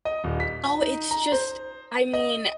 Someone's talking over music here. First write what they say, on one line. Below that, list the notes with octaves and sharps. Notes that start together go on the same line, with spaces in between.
oh, it's just I mean,
D#5
D#1
B6
D#4
A#5
C5
D#5